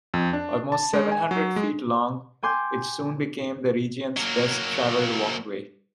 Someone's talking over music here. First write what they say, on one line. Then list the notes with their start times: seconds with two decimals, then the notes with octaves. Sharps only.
Almost seven hundred feet long, it soon became the region's best-travelled walkway.
0.14 F2
0.33 D4
0.72 A5
0.93 G#3
1.12 G#5
1.31 F#3
1.56 G#3
2.43 G5 G#5 C6 D6 G6
4.17 F#3 A#3